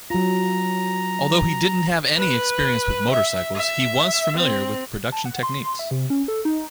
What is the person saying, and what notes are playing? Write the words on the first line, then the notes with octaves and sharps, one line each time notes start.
Although he didn't have any experience with motorcycles, he was familiar with production techniques.
F#3 F4 A#5
B4
E5
E5
C4
A5
F#5
C6
E5
C3
C#4
A4
D#4